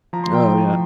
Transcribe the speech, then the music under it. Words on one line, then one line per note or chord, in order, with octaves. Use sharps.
Oh, yeah.
F3 A#5
C6
G5 A#5
A2